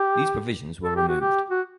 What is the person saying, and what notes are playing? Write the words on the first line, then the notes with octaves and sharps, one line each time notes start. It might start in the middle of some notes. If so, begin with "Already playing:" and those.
These provisions were removed.
Already playing: G4
A4
G4
F#4
G4
F#4